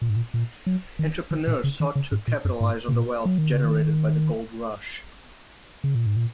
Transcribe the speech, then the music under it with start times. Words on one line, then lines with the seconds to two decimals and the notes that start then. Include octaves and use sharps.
Entrepreneurs sought to capitalize on the wealth generated by the Gold Rush.
0.02 A#2
0.09 G#2
0.16 A#2
0.34 A#2
0.67 F#3
0.99 D#3
1.31 D#3
1.47 A#2
1.64 C#3
1.80 D#3
1.96 C#3
2.12 G#2
2.28 A#2
2.45 F#2
2.60 G#2
2.88 C#3
2.93 A#2
3.25 F#3
3.38 D#3
3.52 C#3
3.64 D#3
5.84 C#3
5.95 A#2
6.06 G#2
6.16 A#2